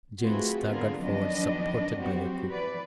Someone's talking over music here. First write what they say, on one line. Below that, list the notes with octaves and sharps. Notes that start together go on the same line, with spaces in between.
Jane staggered forward supported by the cook.
A3 C4 F4 F#4 G#4 B4
D3 B3 D4 F4 G#4 A#4
F2 D#3 F#3 B3 D4 D#5
F#3 B3 C4 F#4 G4
E3 B4 D5